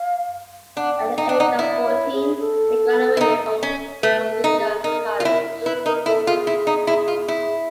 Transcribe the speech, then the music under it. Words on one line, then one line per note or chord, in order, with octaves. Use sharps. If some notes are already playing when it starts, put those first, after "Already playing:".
At the age of fourteen, he graduated from Muskingum College.
Already playing: F5
D4 F#5
G5
D#4 G5
D4
D#4 F#5
E4 D5
C#5
G#4
A4
E4
D#4
C#4
A3 B4
A4
D#4
G#4
D#4 A#4
F4
E4
A#4
E4 B4
D#4 A#4
E4 A4
F4 G#4
E4
D#4
E4
F4
E4